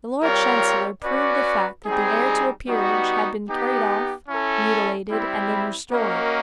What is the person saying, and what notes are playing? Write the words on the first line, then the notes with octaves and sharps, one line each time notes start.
The Lord Chancellor proved the fact that the heir to a peerage had been carried off, mutilated, and then restored.
G3 C4 F4 A#4 C#5
C#4 F#4 B4 D5
G3 C4 D#4 G#4
G3 B3 D#4 F#4
B3 D#4 G4
C#4 E4 A4
G3 C4 E4
A#3 C#4 F#4 A#4 D#5